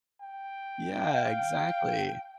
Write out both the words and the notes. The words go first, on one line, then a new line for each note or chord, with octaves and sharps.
yeah, exactly.
G5
F5